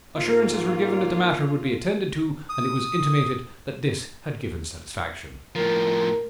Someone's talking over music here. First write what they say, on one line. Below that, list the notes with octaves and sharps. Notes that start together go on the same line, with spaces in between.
Assurances were given that the matter would be attended to and it was intimated that this had given satisfaction.
G#2 A#3 F4
D#6
A2 F3 A#4